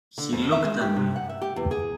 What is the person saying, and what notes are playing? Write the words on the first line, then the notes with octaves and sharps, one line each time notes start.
He looked at me.
D3
F2
E5
G#3
G4
C3
F#5
E5
G4
E2
G#4